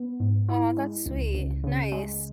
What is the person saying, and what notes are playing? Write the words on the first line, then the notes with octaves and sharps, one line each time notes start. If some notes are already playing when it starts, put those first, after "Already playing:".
Aw, that's sweet, nice.
Already playing: B3
G#2
E4
G#3
C#2
C#2
C#3
G#3